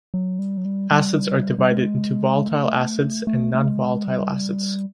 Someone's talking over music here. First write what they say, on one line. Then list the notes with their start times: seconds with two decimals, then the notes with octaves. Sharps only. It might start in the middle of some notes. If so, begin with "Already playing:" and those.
Acids are divided into "volatile acids" and "nonvolatile acids".
0.14 F#3
0.39 G3
0.57 F#3
0.65 G3
0.92 G3
1.58 G3
1.70 G#3
2.48 A3
3.27 A3
3.54 A3
3.65 G#3
4.05 G3